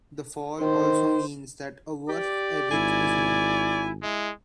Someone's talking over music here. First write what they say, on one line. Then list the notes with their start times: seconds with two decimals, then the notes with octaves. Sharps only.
The Fall also means that a work ethic is needed.
0.61 D#3 C5
2.09 G4 D5
2.71 G#1 E4 G#5
4.02 G#3 E4